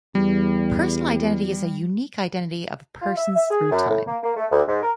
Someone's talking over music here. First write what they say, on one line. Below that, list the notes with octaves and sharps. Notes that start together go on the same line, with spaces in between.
Personal identity is the unique identity of persons through time.
E2 G3
F4
E5
E5
G#4
F#2
A2
A#3
A#3
A3
D2
G#2
A#4